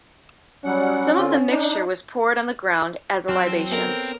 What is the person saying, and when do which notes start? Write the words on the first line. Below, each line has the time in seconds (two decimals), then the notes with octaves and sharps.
Some of the mixture was poured on the ground as a libation.
0.64 F#3 G3 C#4 F#5
1.15 D3 C4 F4
1.49 D4 D#4
3.29 F#3 C4 A5 C6 F6 F#6
3.70 B3 A4 A#4 C#5